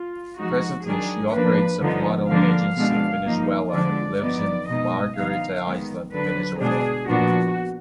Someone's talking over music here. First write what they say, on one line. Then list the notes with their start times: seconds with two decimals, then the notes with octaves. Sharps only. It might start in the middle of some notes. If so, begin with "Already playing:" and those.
Presently, she operates a modeling agency in Venezuela and lives in Margarita Island, Venezuela.
Already playing: F4
0.37 F3 G#3 D#4 F#4
0.85 D#3 F#3 D4 G#4
1.33 F3 A#3 D4 B4
1.81 D3 F3 B3 D#4
2.29 D3 F3 A#3 D4 F5
2.77 B2 G#3 D4
3.25 F3 A#3 D#4
3.73 D3 F3 G#3 D4 D5
4.21 F3 B3 D#4 D5
4.68 B2 G#3 D#4 D#5
5.17 D3 F3 B3 D#4 F5
5.65 D#3 G#3 B3
6.12 D3 F#3 D4 B4
6.60 B2 G#3 D4 G#4
7.08 A#2 F3 B3 D4 F#4